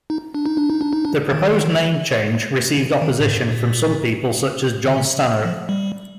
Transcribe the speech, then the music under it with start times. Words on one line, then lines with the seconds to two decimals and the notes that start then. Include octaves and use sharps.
The proposed name change received opposition from some people such as Jon Stanhope.
0.10 D#4
0.35 D4
0.46 D#4
0.57 D4
0.70 D#4
0.81 D4
0.93 D#4
1.05 D4
1.32 D#3
2.77 D3
3.02 D#3
3.20 A#2
3.26 G#2
3.51 A#2
4.86 D3
4.97 C3
5.45 F3
5.69 G3